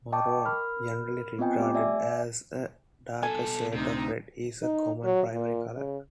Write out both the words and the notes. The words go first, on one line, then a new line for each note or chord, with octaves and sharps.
Maroon, generally regarded as a darker shade of red, is a common primary color.
D#5 G5 A5 C#6 D6
A#4 B5 F6
B3 C4 F4 D#5 G5 G#5
A3 G4 D6
D5 E5 G#5
B2 A4 G#5
D2 C3 D#4
D#4
F#3
A#2
C#3